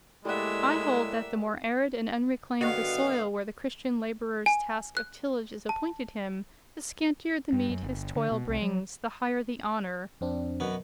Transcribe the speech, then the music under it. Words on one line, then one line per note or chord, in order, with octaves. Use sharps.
I hold that the more arid and unreclaimed the soil where the Christian labourer's task of tillage is appointed him--the scantier the meed his toil brings--the higher the honour.
A2 G3 G#3 A#3 D5 E5 F#5
G2 D3 D#3 B3 F#4 F5
G#5
F#6
A5
G2
F#2
G1
D3
B2
C2
F#3
F2 C4 D4
F#2 B2 B3